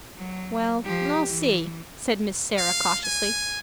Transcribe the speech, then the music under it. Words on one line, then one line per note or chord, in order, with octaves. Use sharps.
"Well, I'll see," said Miss Sarah cautiously.
F#3
F3 G4
E3
F5
G#5